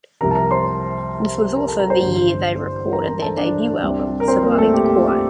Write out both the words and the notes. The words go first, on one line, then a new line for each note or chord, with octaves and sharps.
This was also the year they recorded their debut album, "Surviving the Quiet".
C2 C3 F3 A#4 A#5
A5
A#4 A#5
C5 C6
A#4 A#5
A4 A5
A#4 A#5
C5 C6
A1 G2 D3
A#4 A#5
A#4 A#5
A4 A5
D4 D5
C2 C3 G3 C4
A#4
C4 C5
A#3 A#4
A3 A4
G4
G4
F4
G4